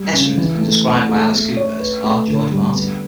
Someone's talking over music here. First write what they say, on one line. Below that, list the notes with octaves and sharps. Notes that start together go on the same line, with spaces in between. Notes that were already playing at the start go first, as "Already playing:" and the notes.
Ezrin has been described by Alice Cooper as "our George Martin".
Already playing: G3
C#3
E3
A3
E4
A3
A3
C#5
B4
A3
D3
G3
B3